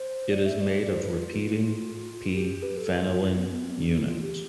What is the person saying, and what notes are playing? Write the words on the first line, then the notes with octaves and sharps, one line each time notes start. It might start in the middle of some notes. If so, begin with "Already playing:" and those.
It is made of repeating "p"-phenylene units.
Already playing: C5
D5
E5
D5
D5
C5
B4
F4
G4
B4
A4
F4
F4
B3
B3
C4
D4
E4
F4
G4